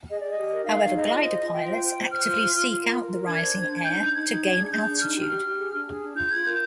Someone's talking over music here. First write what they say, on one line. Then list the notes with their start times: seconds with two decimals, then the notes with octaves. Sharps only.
However, glider pilots actively seek out the rising air to gain altitude.
0.09 G#4 D#5
0.20 G#4 D5
0.30 D#5
0.37 G4
0.52 A#4
0.66 D#4 F5
0.81 D#4
0.95 G#4 D#5
1.10 F4
1.24 C5
1.39 F4
1.53 F4 G5
1.68 C5
1.83 C5
1.97 C5
2.11 C5 F6
2.26 F4
2.41 F4
2.55 F4
2.69 F4
2.84 A#4
2.99 A#4
3.13 A#4
3.27 D4 G#6
3.42 C5
3.56 C5
3.70 D4
3.85 D#4 G6
4.00 D#4
4.14 D#4 G#6
4.28 D#4
4.43 D4
4.57 G#4
4.72 G#4 G6
4.87 D4
5.01 D#4 F6
5.15 G4
5.30 G4 F6
5.44 G4
5.59 G#4
5.73 D4
5.88 G#4
6.02 D4
6.16 F4 G6
6.31 F4 G#6
6.45 A#4 G6